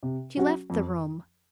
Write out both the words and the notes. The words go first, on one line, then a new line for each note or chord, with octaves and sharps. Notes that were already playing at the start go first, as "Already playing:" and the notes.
She left the room.
C3
F#3 C#4 F#4
F2